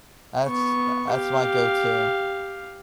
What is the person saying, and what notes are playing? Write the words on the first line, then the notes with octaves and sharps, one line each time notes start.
that's that's my go-to.
B3 C#6
G4 F5